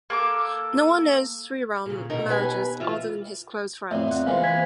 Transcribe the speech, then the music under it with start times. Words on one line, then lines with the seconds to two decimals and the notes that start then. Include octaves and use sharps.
No one knows Sriram marriages other than his close friend.
0.10 A#3 A4 D6
1.86 A#2 C#3
2.10 B2 D#3 D#4 A#4
2.29 D#2 B4 G#5
2.80 E3 F4 E5
3.91 F2 A2 D5 E5
4.08 F2 F#5
4.26 A#2 E3 G#3 C5 F5
4.44 E3 G#6 B6